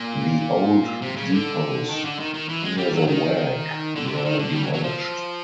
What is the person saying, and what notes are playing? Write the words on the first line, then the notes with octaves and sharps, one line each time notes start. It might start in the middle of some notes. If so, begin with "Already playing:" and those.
The old depots near the Waag were demolished.
Already playing: A#2
C3
C#3
D3
D#3
D3
D#3
D#3
E3
G#3
G3
F#3
D#3
D3
C3
D3
D#3
D3
G3
F#3
F#3
F3